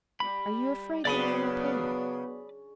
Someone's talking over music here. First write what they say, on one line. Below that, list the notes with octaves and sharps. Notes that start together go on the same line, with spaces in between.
Are you afraid that I will not pay you?
G3 B5
C#3 F#3 B3 D4 F#4 D5 B5 D#6